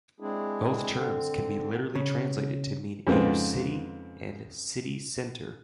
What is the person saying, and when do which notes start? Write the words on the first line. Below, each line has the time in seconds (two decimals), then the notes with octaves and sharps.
Both terms can be literally translated to mean "inner city" and "city centre".
0.20 G#3 C4 D4 E4 G#4
0.92 D3 C4
1.95 C#3
3.07 F2 G#2 C#3 B3 C4